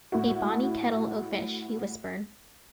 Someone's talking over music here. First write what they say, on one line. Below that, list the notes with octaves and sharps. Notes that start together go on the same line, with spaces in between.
"A bonny kettle o' fish," he whispered.
A2 E4 F#4